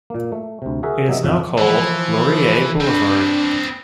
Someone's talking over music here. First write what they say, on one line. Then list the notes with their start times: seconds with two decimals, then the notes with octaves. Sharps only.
It is now called Laurier Boulevard.
0.10 A#2 A#3
0.32 A3
0.62 D2 C3
0.83 F#4 G#4 A#4 E5 F#5
1.09 F#3 A#3 D#5 E5
1.23 A1 F2 E5 F5
1.58 E3 F3
2.80 C4 D4 B4